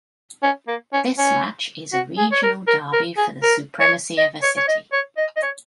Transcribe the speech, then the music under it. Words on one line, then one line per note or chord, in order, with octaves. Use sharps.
This match is a regional derby for the supremacy of a city.
C#4
A#3
C#4
C#4
F#4
G#4
C#5
A#4
A#4
A#4
G#4
A#4
C#5
D#5
C#5
C#5
D#5
C#5
D#5
D#5
C#5